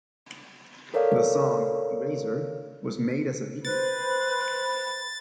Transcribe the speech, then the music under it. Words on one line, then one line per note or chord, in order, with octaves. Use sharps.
The song, "Eraser" was made as a video.
A4 A#4 C#5 D5 F5
B4 C5 B5 A6